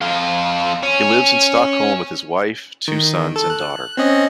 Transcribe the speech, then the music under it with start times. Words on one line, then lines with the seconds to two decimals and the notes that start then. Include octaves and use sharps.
He lives in Stockholm with his wife, two sons and daughter.
0.01 F2 F4
0.83 C#4
2.88 D#3
3.36 A4
3.50 F#6
3.97 C4 C#4 D#5